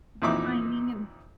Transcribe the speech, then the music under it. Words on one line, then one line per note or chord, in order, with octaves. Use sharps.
the timing and
F2 A#2 E3 D#4 E5 D6